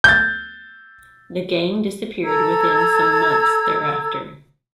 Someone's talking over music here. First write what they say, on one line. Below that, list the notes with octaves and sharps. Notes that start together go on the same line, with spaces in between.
The gang disappeared within some months thereafter.
G6 A6
A4 A#5 E6 G#6